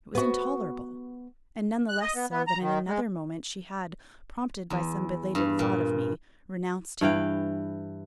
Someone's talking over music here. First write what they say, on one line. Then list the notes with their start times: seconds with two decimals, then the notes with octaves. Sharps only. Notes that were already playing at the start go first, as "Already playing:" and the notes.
It was intolerable; and none the less so that in another moment she had, prompted by some belated thought of me, renounced him.
0.15 B3 F#4
1.89 F#6
2.01 D#5
2.15 B3
2.31 B3
2.47 A#5
2.61 D#3
2.87 G#3
4.70 E2
5.35 G2
5.59 A#2
7.01 G2 E3 F5 G5